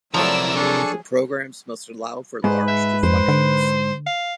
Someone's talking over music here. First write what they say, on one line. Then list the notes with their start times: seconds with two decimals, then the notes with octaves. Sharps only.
The programs must allow for large deflections.
0.14 C3 F3 F#3 A3 E4 A#4 D5 E6
0.55 D4 G#4 A4 C#6
2.44 G#2 B4 C5
2.68 E5
3.03 F2 C5
3.28 D3
4.07 F5